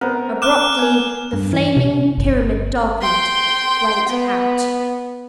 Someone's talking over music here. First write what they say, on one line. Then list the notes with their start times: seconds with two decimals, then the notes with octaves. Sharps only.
Abruptly the flaming pyramid darkened--WENT OUT.
0.01 B3 C4 A#4
0.42 D6 F6 F#6 E7
0.79 B3 G#5
1.33 G2
1.53 E3
1.77 C3
2.17 G1
3.01 G5 C6
4.08 B3